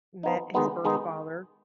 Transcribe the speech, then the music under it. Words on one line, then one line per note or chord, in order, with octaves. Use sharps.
met his birth father
F3 B3 D#4
D#3 G#3 B3 D#4
D#3 G#3 B3 D#4